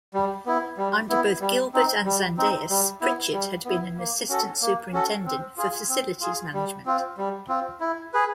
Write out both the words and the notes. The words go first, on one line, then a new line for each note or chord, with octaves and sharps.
Under both Gilbert and Zendejas, Pritchett had been an assistant superintendent for facilities management.
G3
B3 E4
G3
B3 E4
G3
C4 D#4
G3
C4 D#4
G3
B3 E4
G3
B3 E4
A#3
C#4 F#4 A4
A#3
C#4 F#4 A4
C4
F4 G#4
C4
F4 G#4
G3
C4 F4
G3
C4 F4
E4
G#4 B4